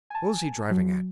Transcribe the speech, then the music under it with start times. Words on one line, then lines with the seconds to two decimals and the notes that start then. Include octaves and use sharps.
What was he driving at?
0.10 G#5 A5
0.70 F#3